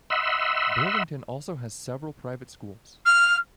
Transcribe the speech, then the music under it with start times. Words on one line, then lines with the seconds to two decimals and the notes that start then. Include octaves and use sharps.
Burlington also has several private schools.
0.10 D#5 E5 F#5 B5 C6 E6
3.06 F6